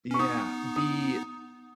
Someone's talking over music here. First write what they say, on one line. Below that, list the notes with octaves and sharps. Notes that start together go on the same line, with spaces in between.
Yeah, the
C#4 C#6
B3 D#4 D#6
D#6